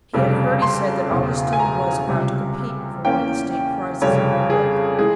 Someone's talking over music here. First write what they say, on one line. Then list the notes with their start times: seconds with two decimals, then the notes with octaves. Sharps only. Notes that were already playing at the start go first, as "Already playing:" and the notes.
He had heard, he said, that Augustine was about to compete for one of the State prizes in rhetoric.
0.13 F1 F2 C#3 G3
0.62 C6
1.10 E1 E2 C#3
1.53 G#5
1.59 A#5
2.08 C#2 C3 G3
3.05 E2 E3 A#3 C#4 G5
4.01 F1 F2 C#3 G3 C#5
4.50 G#4
4.98 E3 G#3 G#4